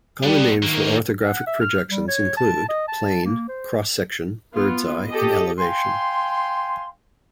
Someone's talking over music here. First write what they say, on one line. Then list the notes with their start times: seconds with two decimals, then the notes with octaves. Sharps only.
Common names for orthographic projections include plane, cross-section, bird's-eye, and elevation.
0.23 G3 B3 D4
0.62 D#3 F#3 A#3
1.25 F#5
1.47 E5
1.61 F6
1.90 G3
2.08 C#5
2.37 A5
2.69 D#5
2.88 A5
3.25 A#3
3.49 C5
4.52 B3 F4
5.09 G4 A4 D#5
5.59 F5 G5 G#5 C6